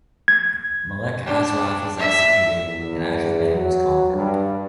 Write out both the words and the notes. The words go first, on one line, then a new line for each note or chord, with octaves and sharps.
Malek Asraf was executed, and Azerbaijan was conquered.
G#6
D4
E5
E2
F#3
G2